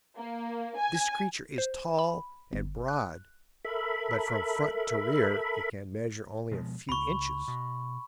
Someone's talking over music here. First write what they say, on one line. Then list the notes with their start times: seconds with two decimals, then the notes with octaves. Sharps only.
This creature is tall and broad, but from front to rear it can measure only a few inches.
0.16 A#3
0.76 G#5
1.58 C5
1.99 B5
2.53 G1
2.88 F#6
3.65 A4 A#4 E5 B5
6.51 B2 F3 G#3
6.89 C#2 B5 C#6
7.48 B2